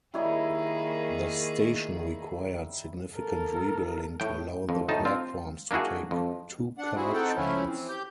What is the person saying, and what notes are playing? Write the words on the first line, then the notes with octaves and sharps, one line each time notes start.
The station required significant rebuilding to allow the platforms to take two-car trains.
D#3 G3 A#3 D#4 E4 G#4 C#5 D#5
A4 A#4
A2 G5
F2
D2 A2 D#4 A5
C4 F4
A#3 D4 E4 F#4 G#4
F2
D4 F#5
C4 E4 F#4 G#4
C4 D#4 A4 F#5 G5
F3 A3 C#4 E4
E3 C4
G4 G6